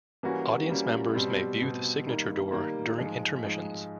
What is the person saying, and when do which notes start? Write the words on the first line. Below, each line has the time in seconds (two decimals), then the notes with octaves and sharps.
Audience members may view the signature door during intermissions.
0.23 E3 G3 A#3 C#4 F#4
0.69 E3 G3 A#3 C#4 F#4
1.15 B2 G3 C4
1.61 B2 G3 C4
2.06 D#3 G3 A#3
2.52 D#3 G3 A#3
2.98 G#2 F3 G#3
3.44 G#2 F3 G#3